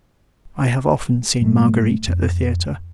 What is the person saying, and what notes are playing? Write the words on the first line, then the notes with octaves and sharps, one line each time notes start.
I have often seen Marguerite at the theatre.
G#2 F#3 G3 A3
F2